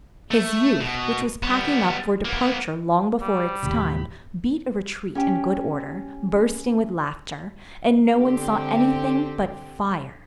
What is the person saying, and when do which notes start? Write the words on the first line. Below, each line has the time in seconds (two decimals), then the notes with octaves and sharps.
His youth, which was packing up for departure long before its time, beat a retreat in good order, bursting with laughter, and no one saw anything but fire.
0.31 A3
0.81 B2
1.43 G3 B3
2.25 A#3 B3
3.21 G3
3.63 D#2 A2 C#3 G4 B5
5.15 C#4 G4 G5
8.14 D3 C4 G4